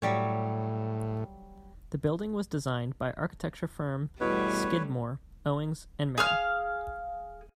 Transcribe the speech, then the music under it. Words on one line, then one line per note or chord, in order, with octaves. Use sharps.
The building was designed by architecture firm Skidmore, Owings and Merrill.
A2 F#3 G3 C#5
E2 B2 G3 A3 B4 C#5
G#4 F5 F6